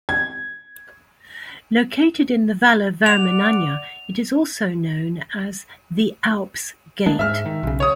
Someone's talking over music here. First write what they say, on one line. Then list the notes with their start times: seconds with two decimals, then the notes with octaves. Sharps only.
Located in the Valle Vermenagna, it is also known as "the Alps' gate".
0.09 G#6
3.06 D5 F#5 F7
7.06 G#3 A#3 D4
7.19 G#2 G#3 E5 F6
7.46 D#3
7.63 B1 C#3
7.80 C#5 D#6